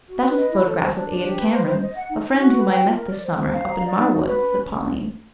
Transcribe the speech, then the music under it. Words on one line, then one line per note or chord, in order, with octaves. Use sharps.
"That is a photograph of Ada Cameron, a friend whom I met this summer up in Marwood," said Pauline.
F#4
B4
D#5
E4
A4
C5
D4
D4
G4
B4
C5
C5
D#5
F#5
D#4
D#4
F#4
B4
G5
F4
A#4
D5
C5
C5
F5
A#5
D5
D#4
F#4
B4
C#4
C#4